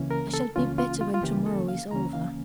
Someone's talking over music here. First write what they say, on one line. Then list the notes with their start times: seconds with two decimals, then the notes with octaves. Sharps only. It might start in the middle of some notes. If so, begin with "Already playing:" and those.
'I shall be better when to-morrow is over.'
Already playing: C#2 C#3 E3 A#3 C#4
0.11 A#4
0.34 A4
0.56 C#2 C#3 E3 A#3 C#4 F4
0.78 F4
1.01 F4
1.14 F4
1.23 C#2 C#3 E3 A#3 C#4 G4
1.46 A4
1.68 F5
1.91 C#2 C#3 E3 A#3 C#4 A#5
2.13 F5